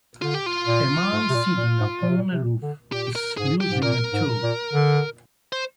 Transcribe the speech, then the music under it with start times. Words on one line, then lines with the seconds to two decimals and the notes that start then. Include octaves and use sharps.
A man sitting upon a roof is using a tool.
0.22 D3 F4
0.34 G4
0.46 F4
0.67 A#2
1.13 G#2
1.29 C3
1.35 A#2
1.57 A#2
1.80 G#2
2.02 A#2
2.09 C3
2.17 A#2
2.33 C3
2.62 D3
2.92 A#2 G4
3.16 A#4
3.37 G#2 G#4
3.61 G4
3.71 G#2
3.83 A#2 A#4
4.13 G#2
4.43 A#2
4.73 D3
5.53 C5